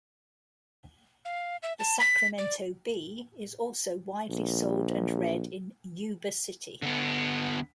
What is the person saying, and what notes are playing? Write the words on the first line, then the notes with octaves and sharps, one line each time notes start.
"The Sacramento Bee" is also widely sold and read in Yuba City.
F5
E5
A5
B6
D5
A#1
D3 B3